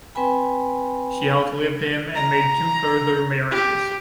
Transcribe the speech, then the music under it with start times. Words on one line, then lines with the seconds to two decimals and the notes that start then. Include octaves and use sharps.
She outlived him and made two further marriages.
0.15 C4 B4 G5 G#5 B5
2.16 A#5
3.51 G4